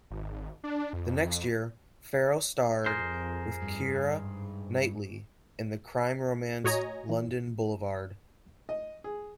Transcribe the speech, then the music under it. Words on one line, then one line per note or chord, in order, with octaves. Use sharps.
The next year, Farrell starred with Keira Knightley in the crime romance "London Boulevard".
G#1
D4
F2
F2 G#4 A#4 C5
G2
G#2
A2 F#4 C#5 D#5 G#5 A#5
E3
D#5
G#4